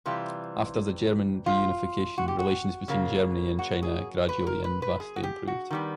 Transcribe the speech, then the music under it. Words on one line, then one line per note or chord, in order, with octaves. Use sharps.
After the German reunification, relations between Germany and China gradually and vastly improved.
C3 E3 G3 F4
F4
F#4
G4
F#4
C#3 F#3 A#3
F#4
G#4
B4
A#4
B4
B4
G#4
F#4
G4
F#4
D#3 G3 B3